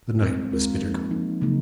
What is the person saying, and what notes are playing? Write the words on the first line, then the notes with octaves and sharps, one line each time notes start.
The night was bitter cold.
G#3 C4 F4 A#4
G#3 C4 F4 A#4
F3 A#3 D#4
F3 A#3 D#4
C#3 F#3 A#3 D#4